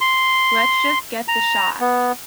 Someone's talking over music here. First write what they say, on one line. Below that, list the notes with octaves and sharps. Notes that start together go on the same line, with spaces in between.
Lets just get the shot.
C6
A#5
B3